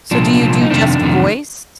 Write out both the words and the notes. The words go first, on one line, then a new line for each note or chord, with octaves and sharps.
So, do you do just voice?
C2 A#2 F3 D4
C2 A#2 F3
D#4
F2 C3 D#3 D4
F2 C3 D#3